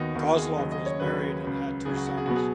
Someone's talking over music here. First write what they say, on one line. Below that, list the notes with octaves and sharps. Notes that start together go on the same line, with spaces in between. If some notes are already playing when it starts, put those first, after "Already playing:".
Kozlov was married and had two sons.
Already playing: D#2 D#3 B3 D#4 F#4
D#2 D#3 B3 F#4
G#4
D#2 C#3 F#3 D#5
D#5
C#5
D#2 C#3 F#3 B4
C#2 C#3 F#3
C#2 C#3 F#3 G#4
F#4
F#4
G#4
B2 F#3 B3 F#4
G#4